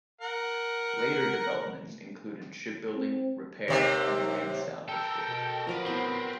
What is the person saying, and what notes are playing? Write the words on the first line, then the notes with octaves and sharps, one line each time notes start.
Later developments included shipbuilding, repair and marine salvage work.
A#4 F#5
C4
D#2 C3
A4 A#4 G5 E6
B2
F3 F#3 A#4 B4 D6
B3 C4 E4 F#4